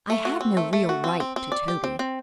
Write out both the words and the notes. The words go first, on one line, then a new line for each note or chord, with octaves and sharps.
I have no real right to Toby.
A3
F#4
C4
A3
A3
F#4
C4
C4
C4
D5
G4
C4
C4